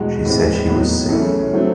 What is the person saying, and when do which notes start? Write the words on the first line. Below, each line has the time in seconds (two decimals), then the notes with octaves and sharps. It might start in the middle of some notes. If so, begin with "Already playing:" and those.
She said she was sick.
Already playing: E2 B2 G#3
0.25 A2 E3 G#3 C4
0.67 A2 F#3 B3 D#4
1.09 F#2 C#3 E3 A3
1.53 D3 F#3 A3 C4